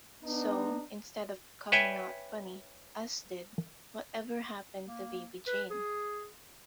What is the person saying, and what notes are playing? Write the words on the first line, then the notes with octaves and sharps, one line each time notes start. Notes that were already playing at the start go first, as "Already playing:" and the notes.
So, instead of coming out funny, as did Whatever Happened to Baby Jane?
B3 D4 D#4
B4 C#5 E5 G5 G#5
A#3
B4
G#4